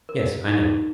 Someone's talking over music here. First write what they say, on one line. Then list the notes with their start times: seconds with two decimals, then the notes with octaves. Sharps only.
Yes, I know.
0.09 A#4
0.48 D#4